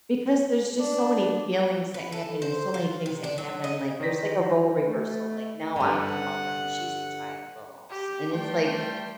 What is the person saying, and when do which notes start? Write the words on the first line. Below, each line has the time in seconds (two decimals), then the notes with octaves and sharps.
because there's just so many feelings that happen, and so many things that happen. Like, there's, like, a role reversal, like, now I'm the mother, and she's the child almost. And it's, like
0.79 D4
1.94 B4
2.12 A4
2.42 C5
2.74 F4
3.06 C3
3.24 D4
3.38 F#3
3.64 D#5
4.00 D#3 C5 D5 A#6 B6
4.86 A3
5.76 G2 D3 F#5
7.90 G4
8.33 G3 A3 G4 G5 A5 C6